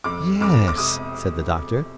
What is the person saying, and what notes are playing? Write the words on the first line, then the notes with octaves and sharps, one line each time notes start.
"Yes," said the Doctor.
F2 D6
F2 D6
D6
C3 D#6